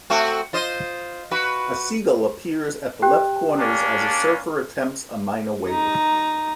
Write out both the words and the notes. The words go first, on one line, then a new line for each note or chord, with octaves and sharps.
A seagull appears at the left corners as a surfer attempts a minor wave.
A3 C4 F#4
F4 C5 D#5
F#4 B4
G4 G5 F#6
A#3 C#4 D4
D#4 A#5